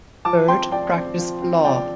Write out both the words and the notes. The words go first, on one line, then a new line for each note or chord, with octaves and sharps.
Bird practiced law.
F3 A5 D6
C4 G5 C6
F3 D5 G5
C4
F3
C4
F3 D5 G5